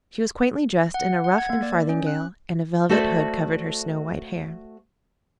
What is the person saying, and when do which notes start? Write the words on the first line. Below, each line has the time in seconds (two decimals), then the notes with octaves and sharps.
She was quaintly dressed in a ruff and farthingale, and a velvet hood covered her snow-white hair.
0.94 F#5
1.24 F#5
1.38 G#6
1.50 A#3
1.62 D5
1.89 C#4
2.07 F#6
2.89 A3 F#4 A4 C5 D5 E5